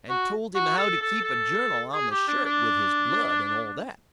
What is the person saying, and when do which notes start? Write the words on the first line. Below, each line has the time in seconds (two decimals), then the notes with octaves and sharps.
And told him how to keep a journal on the shirt with his blood, and all that.
0.09 F#4
0.55 F#4
0.77 A4
1.01 A4
1.24 A4
1.94 G#4
2.11 G4
2.27 D4
2.45 D4